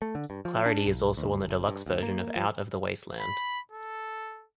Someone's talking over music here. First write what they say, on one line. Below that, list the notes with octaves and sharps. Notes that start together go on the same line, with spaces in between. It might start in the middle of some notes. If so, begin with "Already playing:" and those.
"Clarity" is also on the deluxe version of Out of the Wasteland.
A3
D3
G2
F3
D4
B1
D2
F#1
G2
D2
A#3
F3
B5
A4